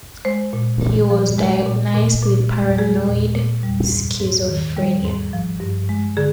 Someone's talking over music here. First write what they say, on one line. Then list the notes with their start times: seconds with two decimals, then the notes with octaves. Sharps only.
He was diagnosed with paranoid schizophrenia.
0.25 G#3 C5
0.53 A#2
0.81 A#2
1.10 F3
1.38 G#3
1.66 A#2
1.94 A#2
2.22 A#2
2.51 G#3
2.78 G#3 G#4
3.07 A#2
3.35 A#2
3.63 G3
3.91 G#2
4.20 G#2
4.48 D#3
4.77 G3
5.05 G#2
5.33 F3
5.60 G2
5.89 G#3
6.17 D3 G#4